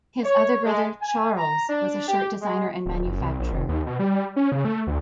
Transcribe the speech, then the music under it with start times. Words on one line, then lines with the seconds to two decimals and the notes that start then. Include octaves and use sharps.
His other brother, Charles, was a shirt designer and manufacturer.
0.24 C#5
0.65 G#3
1.01 G#5
1.37 A#5
1.69 D4
2.08 G4
2.41 G#3
2.86 D1
3.05 F#1
3.21 C2
3.39 A#1
3.53 F1
3.69 D#2
3.87 B2
3.99 G3
4.36 C#4
4.52 C#3
4.65 A3
4.87 D2